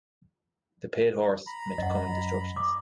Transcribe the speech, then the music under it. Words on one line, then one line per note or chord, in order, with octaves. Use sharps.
The pale horse meant coming destructions.
A#5 B5
F#2 D#5 F#5
D6 D#6